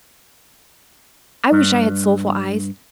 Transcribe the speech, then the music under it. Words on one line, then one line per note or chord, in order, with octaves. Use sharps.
I wish I had soulful eyes.
G2